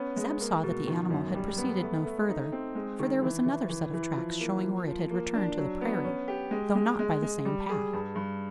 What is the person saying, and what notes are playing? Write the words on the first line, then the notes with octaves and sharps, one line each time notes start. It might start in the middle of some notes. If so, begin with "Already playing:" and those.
Zeb saw that the animal had proceeded no further: for there was another set of tracks showing where it had returned to the prairie--though not by the same path.
Already playing: B3 C#4
G#3
A#3
B2
D#3
F#2
G3
B3
A3
A3
D#4
C4
G#3
D#3
E3
E3
E3
E3
F3
A#3
F3
F3
A#3
D4
F#3
B3
C#4
G4
G#3
G#3
G#3
G#3
G3
G#4
G2
G2